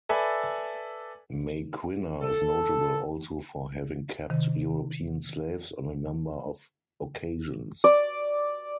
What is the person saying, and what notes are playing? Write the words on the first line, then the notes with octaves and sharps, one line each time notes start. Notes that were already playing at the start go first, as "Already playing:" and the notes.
Maquinna is notable also for having kept European slaves on a number of occasions.
A4 B4 D5 E5 G#5
A4
C3 D#3
D5